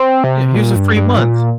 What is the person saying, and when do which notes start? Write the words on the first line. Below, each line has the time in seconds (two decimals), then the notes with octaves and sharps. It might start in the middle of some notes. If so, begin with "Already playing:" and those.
Yeah, "Here's a free month.
Already playing: C4
0.24 C3
0.55 A#2
0.76 G2
0.96 G2
1.17 A#2